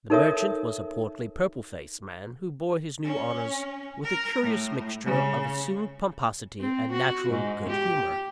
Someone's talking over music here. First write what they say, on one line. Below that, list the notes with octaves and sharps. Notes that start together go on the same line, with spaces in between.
The merchant was a portly, purple-faced man, who bore his new honours with a curious mixture of assumed pomposity and natural good-humour.
D#4 A4 A#4 C#5 E5 D#6
C#4
A#4
A2
C#3
C4
F#4
G#2
G4